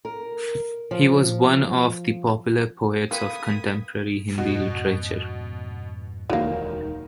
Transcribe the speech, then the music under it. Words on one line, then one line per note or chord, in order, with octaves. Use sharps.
He was one of the popular poets of contemporary Hindi literature.
A#4
F3
A#3 C4 A4 B4 F#5 D#6 G#6 B6
F2 G#2 B2 F#4
E1 D2 D#3 F#3 G#3 A#3